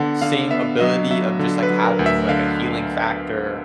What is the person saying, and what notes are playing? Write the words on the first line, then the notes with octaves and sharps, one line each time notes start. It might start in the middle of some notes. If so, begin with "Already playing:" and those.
same ability of just, like, having, like, a healing factor
Already playing: D3 B3 F#5
D3 F5
B3 E5
F#3 D#5
F#3 E5
D3
B4
F#3
A#4
D2
E5
D3 F5